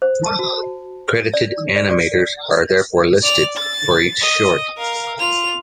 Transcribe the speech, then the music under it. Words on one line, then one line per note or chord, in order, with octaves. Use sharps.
Credited animators are therefore listed for each short.
C5
A5
F#4
D5
D5
D5
D5 F7
A6
D#5
A#4 F5
F4 F7